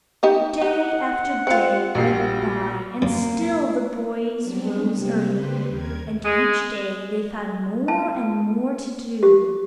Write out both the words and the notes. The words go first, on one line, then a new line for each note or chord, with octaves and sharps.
Day after day went by and still the boys rose early, and each day they found more and more to do.
D#4 G4 D#5
G4 F#5
C4 F4 C5 C#7
A#1 G3 F#4 C7
F#2 A#3
F#3 G3 B3 C4 D4
C3 G3 A#3 C4
C#3 G3 C4 G4 B4 C5
D#2 A#4 G#6
G#3
A5
G4